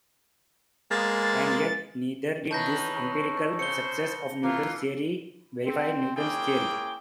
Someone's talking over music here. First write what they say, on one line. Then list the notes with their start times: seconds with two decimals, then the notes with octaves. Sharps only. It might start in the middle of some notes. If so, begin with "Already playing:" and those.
And yet neither did this empirical success of Newton's theory verify Newton's theory.
0.91 G#3 A#3 B3 C5 A6
2.51 D#3 E3 B4 C#5 A5 G6 A#6
3.59 C#3 C5 C#7 G7
4.43 E3 A#3 F4
5.67 C4
6.16 A#3 C#4 E4 G#4 G5 D6